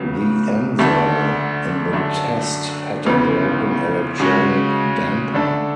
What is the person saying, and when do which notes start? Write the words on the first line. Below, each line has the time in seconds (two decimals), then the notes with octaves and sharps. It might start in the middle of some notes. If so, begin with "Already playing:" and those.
The Enzo in the test had a broken electronic damper.
Already playing: C#2 C#3 F#3 B3
0.79 D2 D3 A3
1.93 F#2 D3 A3 D4
3.06 D2 C#3 E3 B3
4.20 C#3 G#3 C#4 F#4
5.34 D3 A3 D4 A4